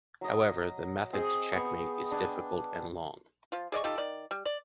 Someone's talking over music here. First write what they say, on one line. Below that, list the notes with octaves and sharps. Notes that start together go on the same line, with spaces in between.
However, the method to checkmate is difficult and long.
F#3 D#5
C4 G#4 D#5 G5
B3 C#6
D4 G5 G#5
F3 F4
G#4 D5 D#5 C#6
D#4 F4 G4 A4
D#3 D5
G3
D5